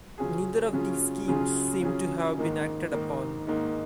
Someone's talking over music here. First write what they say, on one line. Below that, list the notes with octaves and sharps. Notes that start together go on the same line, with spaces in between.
Neither of these schemes seem to have been acted upon.
C#3 F#3 C#4 F4 G#4
C#3 F#3 C#4 F4 G#4
C#3 F#3 C#4 F4 G#4
C#3 F#3 C#4 F4 G#4
G#2 D#3 A#3 D#4
G#2 D#3 A#3 D#4
G#2 D#3 A#3 D#4